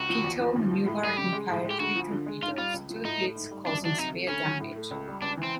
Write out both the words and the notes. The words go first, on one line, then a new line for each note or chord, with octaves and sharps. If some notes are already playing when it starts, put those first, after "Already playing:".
"Peto" maneuvered and fired three torpedoes; two hits causing severe damage.
Already playing: C#2 F#4
F3
E2
F3
D#2
F3
A2
G3 G#4
C#3 G4
G#3
A2
G#3
G4
D2 F#4
F3
D3
G#3
G#2 F4
G3 F4
C#2
F3
A2 D#4
A3
G#2
G3
F#2 D4
F#3 D4
C3 D#4
A3
D2 C#4
F#3
A2
A3
C#2
G3
C#2 D4
E3
C4